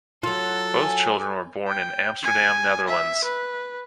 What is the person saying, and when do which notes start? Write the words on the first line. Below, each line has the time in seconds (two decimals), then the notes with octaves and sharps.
Both children were born in Amsterdam, Netherlands.
0.23 F#3 F4 A4
0.80 G#5
1.68 G5
2.23 G#5
2.87 E5
3.24 B4